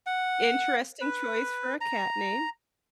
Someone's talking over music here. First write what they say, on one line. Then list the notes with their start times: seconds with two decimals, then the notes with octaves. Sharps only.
Interesting choice for a cat name.
0.06 F#5
1.01 B4
1.81 A#5